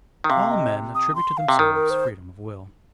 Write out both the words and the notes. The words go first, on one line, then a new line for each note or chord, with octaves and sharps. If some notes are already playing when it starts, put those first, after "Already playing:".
All men attribute to themselves freedom of will.
D#3
C3 F5
D#5
D#6
C6
F5
C3
D#3 A#4
A#4
C5